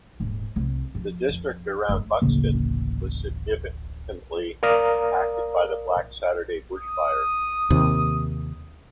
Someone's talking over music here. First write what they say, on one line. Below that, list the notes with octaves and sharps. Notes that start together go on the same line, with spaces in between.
The district around Buxton was significantly impacted by the Black Saturday bushfires.
D#1 G#2
C2
F3
F2
F#1 G2
D1 A1 C#3 A#3
A#4 D5 F5 A#5 D#6 F6
D#6
D#2 C3